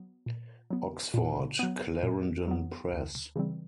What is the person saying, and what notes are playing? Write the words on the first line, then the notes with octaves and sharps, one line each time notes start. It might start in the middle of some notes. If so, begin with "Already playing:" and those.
Oxford, Clarendon Press.
Already playing: F#3 B3
A#2
F#3 B3
A#2
F#3 B3
A#2
F#3 B3
D2
C#3 E3 G3 C4